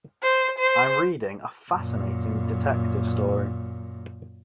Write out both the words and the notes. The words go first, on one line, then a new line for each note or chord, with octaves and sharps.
I'm reading a fascinating detective story.
C5
C5
F#2 A#2